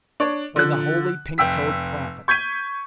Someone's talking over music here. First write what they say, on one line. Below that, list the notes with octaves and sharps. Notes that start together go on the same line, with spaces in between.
By the Holy Pink-toed Prophet!
D4 C#5
D3 F3 F#6
F1 G5 E6 B6
C#6 G6 G#6 B6 D#7